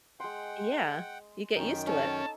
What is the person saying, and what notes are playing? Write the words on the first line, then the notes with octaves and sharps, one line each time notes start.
Yeah. You get used to it.
G#3 F#5 G5 C6
F#2 D#3 C#4 D#4 G5
C#4 A4 G#5 A5